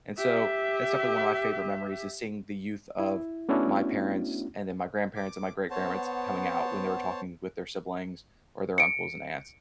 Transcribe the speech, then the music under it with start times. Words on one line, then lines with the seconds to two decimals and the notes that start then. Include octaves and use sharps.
And so that's definitely one of my favorite memories is seeing the youth of my parents, and then my grandparents and my great-grandparents coming out when they were talking with their siblings or their uncles and aunts.
0.18 G4 E5
3.00 E4
3.49 A3 B3 C#4 D4 E4 F#4
5.16 D6
5.70 B3 C5 C#5 F#5 A5
8.78 C#7 D7